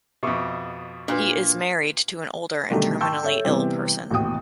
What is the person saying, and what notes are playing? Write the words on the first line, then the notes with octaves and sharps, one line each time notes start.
He is married to an older and terminally ill person.
F2 B2 E5 C#6 D6
A#2 D4 F#4 B4
B2 D3 D#3 F#3 G3 A3
G5 A5 C6 C#6 E6 G6
A4 C#5 E5
C3 E3 G3 B3 C4
A1 D#2 B2 F#4 G5 D#6